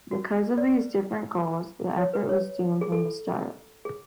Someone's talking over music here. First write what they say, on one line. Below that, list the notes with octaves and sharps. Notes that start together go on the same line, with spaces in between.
Because of these different goals, the effort was doomed from the start.
F#4
D5
C#5
B4
C#5
G#4
A4
G#4